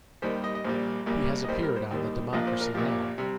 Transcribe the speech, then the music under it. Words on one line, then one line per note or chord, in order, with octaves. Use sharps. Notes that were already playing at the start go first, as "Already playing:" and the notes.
He has appeared on the Democracy Now!
D#2 D#3 G3 C5
D#5
D#5
A#1 A#2 G3 C5
A#1 A#2 G3
D#5
D#2 D#3 G3 C5
A#4
C5
D#2 D#3 G3
A#1 A#2 F3 D#5
C5
A#4
A#1 A#2 F3 G4
C3 G3